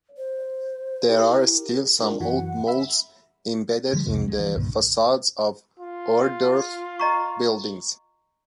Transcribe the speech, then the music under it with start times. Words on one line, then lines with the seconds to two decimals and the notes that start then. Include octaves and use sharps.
There are still some old molds embedded in the facades of Ohrdruf buildings.
0.17 C5
1.09 E4 G4 A#4
1.99 G#3 D4 F4 A#4
2.20 F#2 E3 F#4 F#5
2.67 E5 B5 E6
3.93 D3 F3 G3 G#3
4.07 C2 F2 C3
4.25 D1 G#3
4.40 E3
4.56 C2 G2 A#2 D3
5.79 F4
6.99 D#5 A#5 C#6